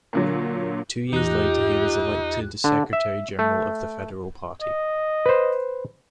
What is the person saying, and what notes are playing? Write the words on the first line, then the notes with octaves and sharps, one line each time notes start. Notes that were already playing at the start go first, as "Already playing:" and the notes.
Two years later he was elected secretary general of the federal party.
A#2 D3 F#3
E2 D#4 F4 G4 F#6
D3
E5
A3
D#5
B4 C5